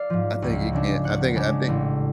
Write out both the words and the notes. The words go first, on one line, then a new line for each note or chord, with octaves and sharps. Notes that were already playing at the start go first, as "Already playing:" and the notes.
I think it can I think I think,
Already playing: D5 F5
G#2 F3
C#2
C#3 G#3 D4
C#2 F#5
C#3 G#3 D4
A1